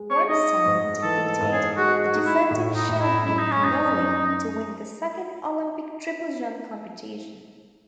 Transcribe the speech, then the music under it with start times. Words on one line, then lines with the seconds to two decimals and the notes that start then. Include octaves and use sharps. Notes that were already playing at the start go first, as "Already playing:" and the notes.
Prinstein defeated the defending champion Connolly to win the second Olympic triple jump competition.
Already playing: G#3
0.10 C#5
0.29 D#4 D#5
0.66 G#2
1.03 E3 A4
1.27 A4
1.41 G#2
1.52 G#4
1.77 G#3 F#4
2.02 F#4
2.15 D#4
2.26 E4
2.51 A2
2.75 D#4
2.89 A2
3.01 E4
3.25 F#2 E4
3.38 D#4
3.52 C#4
3.62 F#2 D#4
4.00 F#2